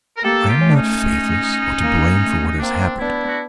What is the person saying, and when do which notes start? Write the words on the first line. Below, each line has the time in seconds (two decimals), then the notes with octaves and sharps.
I am not faithless or to blame for what has happened.
0.17 A#4
0.23 A#3 G4 A4
0.49 F4 G4
0.60 C#4
0.63 A3
0.68 D4
0.75 C#4 D#4
1.81 A#3
2.21 A3
2.47 D#4
2.59 A#3 C4 D4
2.99 B3 D4 E4
3.28 F#4